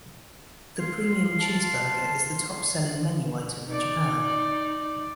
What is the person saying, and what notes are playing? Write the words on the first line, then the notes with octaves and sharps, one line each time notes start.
The premium cheese burger is the top selling menu item in Japan.
F5 C6
A5
D#4 D5